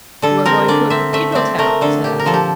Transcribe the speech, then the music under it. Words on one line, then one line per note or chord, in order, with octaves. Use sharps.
You are going to a Cathedral town?' said I.
D3 A4
C4 A#4
D3 D5
C4 E5
A3 E5
C4 D5 E5
A3 A#4
D3 A4
A#2 G4
A#4
F3 A4
G4